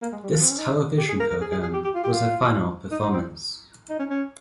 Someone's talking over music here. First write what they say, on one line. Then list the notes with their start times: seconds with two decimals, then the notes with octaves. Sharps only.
This television program was her final performance.
0.02 A#3
0.12 G#3
0.23 G3
0.34 F3
0.42 C4
0.50 C#4
0.58 D#4
0.98 G4
1.09 G#4
1.20 A#4
1.30 A#4
1.41 G#4
1.51 G#4
1.62 G#4
1.73 G4
1.84 G4
1.95 F4
2.04 G4
2.12 F4
2.91 D#4
3.02 D#4
3.13 C4
3.90 D#4
3.99 C#4
4.10 C#4